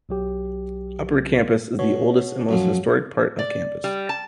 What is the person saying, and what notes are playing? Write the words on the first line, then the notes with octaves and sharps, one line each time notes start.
Upper Campus is the oldest and most historic part of campus.
B1 F#3 G4
B2 C#5
F#2 F3 F#3
D5
G3
A5